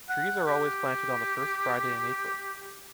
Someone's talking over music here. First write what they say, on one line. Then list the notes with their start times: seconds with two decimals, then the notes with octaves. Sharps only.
Trees are always planted on the first Friday in April.
0.09 F#5
0.46 G4